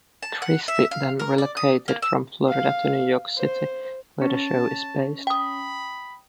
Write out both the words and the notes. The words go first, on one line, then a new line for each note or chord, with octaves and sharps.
Christy then relocated from Florida to New York City, where the show is based.
A5
F#5
E5
F5
A#4
D5
D#6
A#3
E6
F5
C5
C#4 A5
G5 B5 D#6